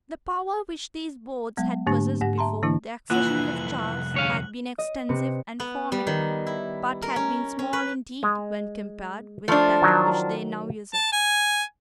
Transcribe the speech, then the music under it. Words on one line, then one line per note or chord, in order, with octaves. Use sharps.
The power which these boards had possessed before the accession of Charles had been extensive and formidable, but had been small indeed when compared with that which they now usurped.
F#3 G#3 B3
G#2 D3 A3 A#3 D4 G4
G#2 G4 F#5 A#6
E5 A5 A#5 C6
D3 E3 A#3 D4 E4
C2 F2 E3 A#3 F4 F#5 F#6 F#7
D2 C#5 F5
D#5
C3 C4 B4 C#7
B3
G3
D#3
E4
A#4
C#4
C#4
B4
G#3
F3 A3 D4
D#3 F#3
A5
G#5